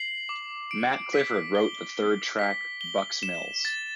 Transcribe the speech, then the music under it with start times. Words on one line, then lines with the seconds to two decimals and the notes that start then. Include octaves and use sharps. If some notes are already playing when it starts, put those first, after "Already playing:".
Matt Clifford wrote the third track, "Buck's Mills".
Already playing: C7 F#7
0.29 D6
0.71 D7
1.13 B6
1.55 G7
1.97 G7
2.39 B6
2.81 G7
3.23 E7
3.65 A6